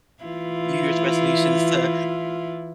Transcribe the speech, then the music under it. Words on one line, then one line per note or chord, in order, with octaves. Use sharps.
New Year's resolutions to
E3 E4 F4